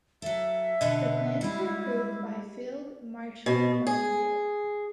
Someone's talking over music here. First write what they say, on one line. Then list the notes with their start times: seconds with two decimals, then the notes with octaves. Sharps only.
The plans were approved by Field Marshal John Dill.
0.22 F#3 A4 E5
0.81 B2 D3 B3 D#5
1.41 G3 G#3 E4
3.46 B2
3.87 G#4